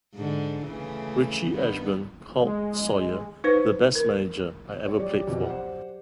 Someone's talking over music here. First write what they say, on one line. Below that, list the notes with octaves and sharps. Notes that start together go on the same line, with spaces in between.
Richie Ashburn called Sawyer the best manager I ever played for.
G#2 D3
C#3 E3 A3
G2 D#3 B3
G#3
D#4 B4 C5
A#4
C#5
F#3 G4 D5
F2 B2
C5 F#5